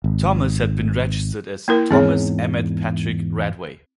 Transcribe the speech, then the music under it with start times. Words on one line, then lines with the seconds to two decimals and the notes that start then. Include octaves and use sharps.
Thomas had been registered as Thomas Emmett Patrick Radway.
0.04 G#1
1.68 A#3 E4 A#4
1.91 E2 G#2 C4 G#4 C#5